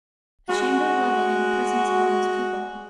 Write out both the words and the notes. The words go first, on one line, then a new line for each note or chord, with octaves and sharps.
Ashamed of loving in the presence of all these people.
G#3 F#4